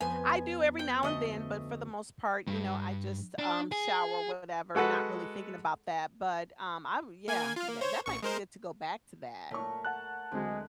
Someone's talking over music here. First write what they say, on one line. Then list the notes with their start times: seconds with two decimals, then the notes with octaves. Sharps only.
I do every now and then, but for the most part, you know, I just, um, shower, whatever, not really thinking about that. But, um, I yeah, that that might be good to go back to that,
0.01 F2 F3 B3 B4 C5 G#5
0.79 G5
1.03 D2 A3 D#5
2.47 G2
3.38 D4
3.72 G#4
4.75 G#3 F#4 A4 B4 F#5
7.28 A#3 G#5 G#6
7.56 F4 F6
7.69 A#3
7.81 C5 C#5
8.06 A1 C#6
8.23 G#3 A#4 C5
9.51 A#2 A3 A#4 C#5 C#6
9.85 F#5 A5 F#6
10.32 D2 F#3 G#3 C4